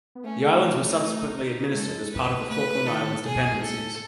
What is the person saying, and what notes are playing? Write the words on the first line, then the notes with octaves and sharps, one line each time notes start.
The Islands were subsequently administered as part of the Falkland Islands Dependencies.
B3
A3 C#4
D#4
G#3 A4
B4
A3 B4
D#3 A4
B2 G#4
B2
A2 A4